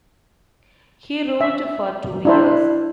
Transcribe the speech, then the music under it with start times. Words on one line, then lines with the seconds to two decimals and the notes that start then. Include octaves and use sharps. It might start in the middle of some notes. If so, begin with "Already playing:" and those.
He ruled for two years.
1.41 E5
2.25 D4 E4 C5